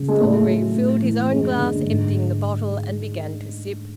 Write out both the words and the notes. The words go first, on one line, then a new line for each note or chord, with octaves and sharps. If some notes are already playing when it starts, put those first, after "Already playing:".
Mr Orgreave filled his own glass, emptying the bottle, and began to sip.
Already playing: C#3
G#3
A2 A3
F#3
A2
E3
F#2 G#3
D3
G#2